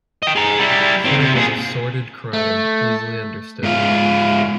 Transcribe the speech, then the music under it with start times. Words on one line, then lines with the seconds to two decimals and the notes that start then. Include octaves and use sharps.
Here was a sordid crime, easily understood.
0.23 D#5 G5
0.36 G#4 A#5
0.59 G3 E4
1.05 D#3 C4
1.20 C3
1.35 A#2 G#4
2.33 A3
3.63 G#2 F4